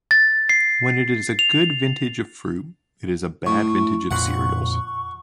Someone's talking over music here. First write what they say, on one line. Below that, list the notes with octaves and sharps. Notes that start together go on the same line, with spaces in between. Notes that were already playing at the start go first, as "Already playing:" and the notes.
When it is a good vintage of fruit, it is a bad vintage of cereals.
A6
C7
F7
A2 C#6
F2 A#2 F#5